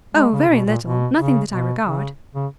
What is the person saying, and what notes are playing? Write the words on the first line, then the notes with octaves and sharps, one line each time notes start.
"Oh! very little, Nothing that I regard."
G#3
C#3
B2
A#2
B2
C#3
B2
C#3
C#3